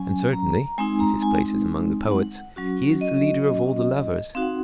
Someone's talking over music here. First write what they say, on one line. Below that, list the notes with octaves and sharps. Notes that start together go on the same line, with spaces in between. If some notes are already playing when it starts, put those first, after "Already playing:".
And certainly, if his place is among the poets, he is the leader of all the lovers.
Already playing: F#3 C#4 G#5
A#5
G#3 C4 D#4 G#5
A#5
G#5
F#5
F#3 C#4 F#4
D#5
C4 D#4 F#4 F5
F#5